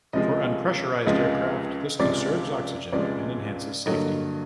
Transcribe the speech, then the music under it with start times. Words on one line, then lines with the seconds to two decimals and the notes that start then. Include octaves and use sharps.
For unpressurized aircraft, this conserves oxygen and enhances safety.
0.13 C#2 C3 F3 G#3 D#5
1.06 C#2 C3 F3 G#3 D#5
1.99 C#2 C3 F3 G#3 D5
2.92 C#2 C3 F3 G#3 D5
3.86 G2 D3 F#3 A#3 D#5